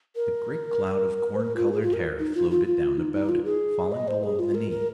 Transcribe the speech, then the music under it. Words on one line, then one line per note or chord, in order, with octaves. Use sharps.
The great cloud of corn-colored hair floated down about it, falling below the knees.
A#4
C5
A#4
F4
G#4
F4
A#4
D#4
F4
F4
F4
D#4
D#4
F4
G#4
D#5
C5
G#4
F4
A#4
A#4